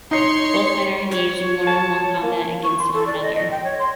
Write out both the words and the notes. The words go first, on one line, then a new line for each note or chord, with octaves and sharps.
Both men are engaged in one-on-one combat against one another.
D#4 C#5 C6 C7 C#7
C#5
A5
A#3
C#6
C6
A4
D5
D#5
D#5
G5
C#5
C6